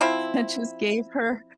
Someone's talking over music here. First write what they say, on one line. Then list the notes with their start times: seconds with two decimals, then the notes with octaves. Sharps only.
and just gave her
0.01 F3 C4 E4